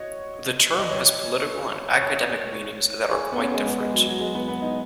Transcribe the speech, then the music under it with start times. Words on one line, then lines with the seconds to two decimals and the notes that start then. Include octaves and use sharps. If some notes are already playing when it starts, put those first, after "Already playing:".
The term has political and academic meanings that are quite different.
Already playing: F#4 C#5 D#5
0.78 D#5
0.91 C#5
2.01 C#5
3.11 G#4
3.32 B3
3.39 C#4
3.54 G#3
3.66 B3
3.80 G#3
3.93 F#3
4.07 F#3
4.20 G#3
4.35 B3
4.48 B3
4.62 D#4